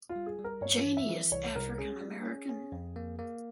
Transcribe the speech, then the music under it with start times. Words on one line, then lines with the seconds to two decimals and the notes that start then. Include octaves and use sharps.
Janey is African American.
0.09 F4
0.16 G3
0.26 G#4
0.39 G3
0.44 A#4
0.61 G2 C#5
0.85 E3
0.97 E5
1.08 E3
1.32 C2 C#5
1.55 C2 A#4
1.78 C#4 G#4
2.02 G3
2.25 C#4
2.49 C#4
2.72 F2
2.96 A#3
3.19 A#3